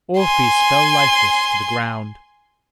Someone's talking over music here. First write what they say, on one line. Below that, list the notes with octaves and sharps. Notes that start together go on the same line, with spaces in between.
Orpheus fell lifeless to the ground.
G#5 C6